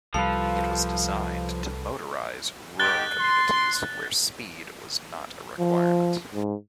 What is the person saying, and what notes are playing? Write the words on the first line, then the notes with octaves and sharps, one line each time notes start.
It was designed to motorise rural communities where speed was not a requirement.
C2 F3 G3 A4 B4 F5
G#2 D#3 G4 F#6 A6 G7
C6
F3
G#2